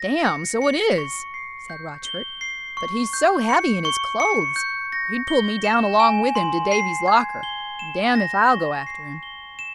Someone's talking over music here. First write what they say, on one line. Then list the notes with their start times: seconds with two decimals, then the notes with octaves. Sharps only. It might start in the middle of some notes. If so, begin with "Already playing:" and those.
"Damme, so it is," said Rochfort; "but he's so heavy in his clothes, he'd pull me down along with him to Davy's locker:--damme, if I'll go after him."
Already playing: A#6
0.26 C#7
0.62 C#7
0.98 C#6
1.34 C7
1.70 G6
2.05 G7
2.41 C7
2.77 C#6
3.13 G6
3.49 C#7
3.85 C#6
4.20 C#7
4.56 G6
4.92 A#6
5.28 G7
5.64 E7
6.00 G#5
6.35 C6
6.72 C7
7.08 G#6
7.43 G7
7.79 E7
8.15 A#6
8.51 C#6
8.87 C7
9.23 G7
9.59 E7